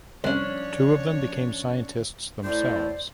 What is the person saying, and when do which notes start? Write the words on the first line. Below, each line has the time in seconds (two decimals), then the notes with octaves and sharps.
Two of them became scientists themselves.
0.24 C2 F3 C#4 D4 C#5
2.44 A2 C5 D5